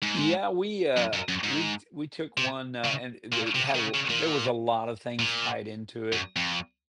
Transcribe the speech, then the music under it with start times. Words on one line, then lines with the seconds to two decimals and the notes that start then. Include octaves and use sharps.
Yeah, we, uh we t we took one, uh, and it it had l there was a lot of things tied into it,
0.03 G#2
0.97 F#2
1.13 F#2
1.29 F#2
1.43 G#2
2.38 C3
2.85 C#3
3.32 A#2
3.55 C3
3.74 D#3
3.79 C#3
3.94 C#3
4.10 A#2
5.19 A#2
6.13 F#2
6.36 F2